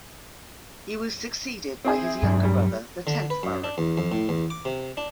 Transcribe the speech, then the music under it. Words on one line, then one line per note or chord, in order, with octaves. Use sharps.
He was succeeded by his younger brother, the tenth Baron.
C4 E4 G#4
G2 F#3 D4
G3
D3
B4
F#2
D4
E2
F2
A2
E2
D6
C3
D4